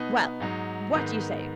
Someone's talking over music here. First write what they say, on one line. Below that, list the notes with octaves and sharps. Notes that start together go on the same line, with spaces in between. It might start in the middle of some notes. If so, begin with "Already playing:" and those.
Well, what do you say?
Already playing: B2 B3 D#4
G#2 F#3 D#4
G#2 D#3 B3 D#4